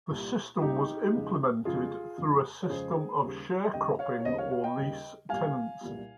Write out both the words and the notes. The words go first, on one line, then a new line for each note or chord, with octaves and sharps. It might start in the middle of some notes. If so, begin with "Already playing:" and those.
The system was implemented through a system of sharecropping or lease-tenancy.
C2 A#2 G3
C2 A#2 G3 D#4 G4
F2 C#3 G#3
F2 C#3 G#3 F4 G#4
F2 C#3 G#3
C#5
F2 C#3 G#3 G#4 C5
D#2 C#3 G3
D#2 C#3 G3 D#5 G5
C#5 F5
C#5
D#2 C#3 G3 C5 D#5
C#5 F5
C#5 F5
D#5 G5
D#2 C#3 G3
C2 A#2 G3 F5 G#5
C2 A#2 G3